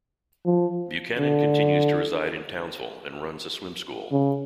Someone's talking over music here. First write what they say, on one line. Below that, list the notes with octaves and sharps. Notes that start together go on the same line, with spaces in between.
Buchanan continues to reside in Townsville and runs a swim school.
F3
D3
C#3